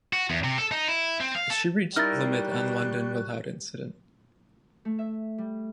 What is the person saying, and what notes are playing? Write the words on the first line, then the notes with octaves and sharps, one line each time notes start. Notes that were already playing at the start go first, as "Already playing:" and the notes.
She reached Plymouth and London without incident.
F#4
E2
C3
A4
D#4
E4
C4
F5
A4
G3 D#4 E4 A#4 C#6 F6 F#6 A6
A3
E5
G3